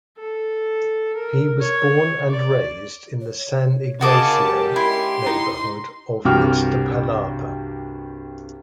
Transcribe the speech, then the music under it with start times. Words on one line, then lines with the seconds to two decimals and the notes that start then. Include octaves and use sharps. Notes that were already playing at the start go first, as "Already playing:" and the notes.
He was born and raised in the San Ignacio neighborhood of Iztapalapa.
0.18 A4
1.15 A#4
1.61 C#5
2.29 D5
3.21 C#5
4.01 C#3 F#4 A#4 D#5 A5 D6
4.40 G#2 C#4 G4
4.76 E4 C6
5.26 D#4 E4
6.25 C2 G2 F#4 G5 D6 F6